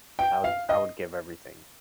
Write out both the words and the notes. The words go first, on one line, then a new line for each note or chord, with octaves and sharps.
I would I would give everything.
G5
F5
D#5